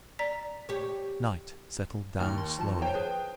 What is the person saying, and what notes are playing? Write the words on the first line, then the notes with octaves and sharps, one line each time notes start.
Night settled down slowly.
D5 A#5 B6
G4 C#5
D#2 A#5 F6
C6
F3 F4 A5
C5 C#5 G5
G#4 B4